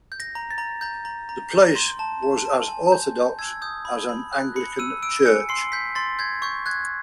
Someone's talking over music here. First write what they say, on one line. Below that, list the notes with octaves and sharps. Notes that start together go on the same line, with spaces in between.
The place was as orthodox as an Anglican church.
G6
A#6
A#5
A6
A#5
A#5 G6
A#5
A#5
G6
C6
A5
A5
A5
G#5
G#5 G6
G6
E6 G#6
D#6 G6
B5
B5
F#6
B5 C#7
E6 D#7
E6 D7
G#5 C#7
C6 C7
G6 B6
C6 A6
G6 G#6
C#6 G6
F#6 G#6